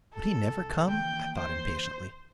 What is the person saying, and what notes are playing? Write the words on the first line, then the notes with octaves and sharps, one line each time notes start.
Would he never come? I thought impatiently.
A4
C2
D#3 E3 A#3 G5
C5